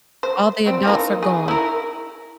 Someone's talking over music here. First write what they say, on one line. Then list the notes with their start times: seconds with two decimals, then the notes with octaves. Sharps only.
All the adults are gone.
0.23 C5
0.66 G3 C4
0.85 E3 A#3 D#4
1.23 G#4
1.48 E4 A#4